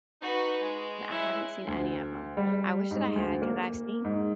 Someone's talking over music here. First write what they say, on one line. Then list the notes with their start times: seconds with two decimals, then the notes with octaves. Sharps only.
I haven't seen any of them. I wish that I had, 'cause I've seen
0.22 D#4 F#4 B4
0.61 G#3
1.12 E3 C#4 E4
1.67 D2
2.37 G3
2.91 G#2
3.16 D2
3.42 A#3
4.04 G#2